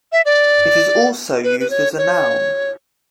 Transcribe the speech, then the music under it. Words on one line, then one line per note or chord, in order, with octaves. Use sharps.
It is also used as a noun.
E5
D5
B4
B4
C#5
C#5